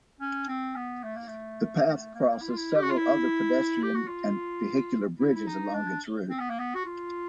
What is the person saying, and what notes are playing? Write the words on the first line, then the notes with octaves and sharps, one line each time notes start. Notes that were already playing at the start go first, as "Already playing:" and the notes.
The path crosses several other pedestrian and vehicular bridges along its route.
C#4
C4
B3
A3
A#3
A3
A3
A#3
A3
A#3
E4
F4
E4
G4
F#4
F4
E4
G4
F#4
F4
E4
E4
D#4
D4
C4
B3
A#3
B3
F#4
F4